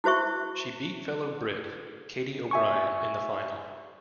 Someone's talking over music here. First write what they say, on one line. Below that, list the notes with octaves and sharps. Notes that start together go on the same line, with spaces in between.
She beat fellow Brit, Katie O'Brien, in the final.
E4 F#4 C5 E5 C#6
E5 G#5 C#6